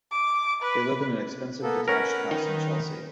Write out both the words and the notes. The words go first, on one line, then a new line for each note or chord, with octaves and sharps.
They live in an expensive detached house in Chelsea.
D6
B4
A#3 B3 A4
C#4 A#4 B4 F#5
D#3 B4